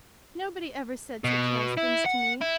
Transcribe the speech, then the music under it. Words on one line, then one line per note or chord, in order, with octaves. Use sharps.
Nobody ever said such nice things to me.
B2
E4
F#5
E4